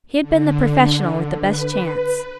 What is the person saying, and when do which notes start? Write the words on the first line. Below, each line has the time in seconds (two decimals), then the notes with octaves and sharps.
He had been the professional with the best chance.
0.21 D3
1.37 B4